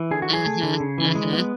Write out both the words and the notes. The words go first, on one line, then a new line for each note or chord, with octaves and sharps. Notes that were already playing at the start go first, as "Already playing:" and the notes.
Mhm, mhm.
Already playing: E3
D3 G#4
F#4
F#3 G#4
A3
D3
C#3
E3
G#3
B3